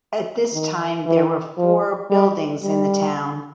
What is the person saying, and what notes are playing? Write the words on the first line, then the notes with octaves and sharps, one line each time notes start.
At this time there were four buildings in the town.
D#3
E3
F3
G3
G3